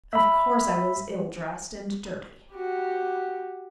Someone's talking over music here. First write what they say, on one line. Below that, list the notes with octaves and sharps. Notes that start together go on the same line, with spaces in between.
Of course I was ill-dressed and dirty.
E5 B5
F#4 G4